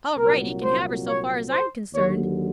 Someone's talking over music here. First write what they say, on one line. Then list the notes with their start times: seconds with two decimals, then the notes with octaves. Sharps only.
All right, he can have her so far as I am concerned.
0.17 C2 A#2 F#3 A#4
0.62 C5
1.05 C#5
1.49 C5
1.93 D#2 D3 F#3 C#5